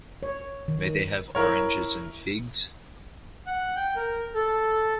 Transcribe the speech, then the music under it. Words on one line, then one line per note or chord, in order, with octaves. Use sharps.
May they have oranges and figs?
C#5
D#3
E4 A#4 C#5
F#5
G5
A#4
A4